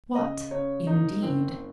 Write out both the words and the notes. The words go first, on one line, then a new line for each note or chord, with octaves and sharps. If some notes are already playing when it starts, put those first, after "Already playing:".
What indeed!
C#3 D#5
C#3 C#5
F#1 D#4
F#1 C4